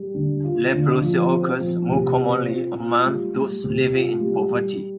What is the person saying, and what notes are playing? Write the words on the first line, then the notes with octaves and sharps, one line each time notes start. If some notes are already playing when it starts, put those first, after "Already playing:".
Leprosy occurs more commonly among those living in poverty.
Already playing: G3
D3
F4
D3
F3
C4
F3
C3
C4
F4
F4
G3
G3
C3
F4
G3
G3